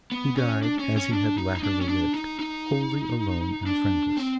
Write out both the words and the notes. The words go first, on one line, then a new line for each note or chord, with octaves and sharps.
He died as he had latterly lived--wholly alone and friendless.
B3
C#4
D4
C#4
C#4
D4
D#4
D#4
D4
C#4
D4
D#4
D#4
D4
C4